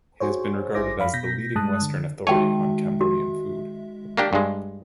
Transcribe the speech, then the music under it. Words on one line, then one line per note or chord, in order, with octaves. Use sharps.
He has been regarded as the leading Western authority on Cambodian food.
F#4 G#4 C5 C#5
G#1 E4 G#4 C5 D6 A#6
F2 F5 B5
B2 G6 A#6 B6
G2 G#3 A5 D#6 F#6
D3
D#3 G#3 F#4 C#5 E5 G5 A5
F#4
A#3 D4 G4
G2 G#3